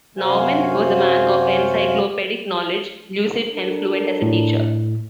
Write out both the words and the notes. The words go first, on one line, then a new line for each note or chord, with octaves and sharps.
Naumann was a man of encyclopedic knowledge, lucid and fluent as a teacher.
F#2 C3 F#4 C5 F5 G#5
D4 A4 A#4
A2